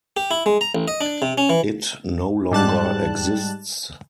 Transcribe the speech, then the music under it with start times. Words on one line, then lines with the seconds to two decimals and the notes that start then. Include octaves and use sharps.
It no longer exists.
0.17 G4
0.31 E4
0.46 G#3
0.61 A#5
0.75 A1
0.88 D#5
1.01 D4
1.22 C3
1.38 C#4
1.49 E3
2.51 G#2 G3 A5 F#6